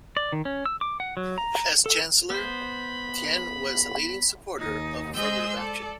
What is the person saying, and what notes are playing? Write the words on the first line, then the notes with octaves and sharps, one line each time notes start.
As chancellor, Tien was a leading supporter of affirmative action.
D5
D#3
C#4
E6
D6
F#5
F#3
A#5
A4
B3 C5 B5
D#2 D#4
G#3 G#4 C5 D#5 E6 G6
A4 D5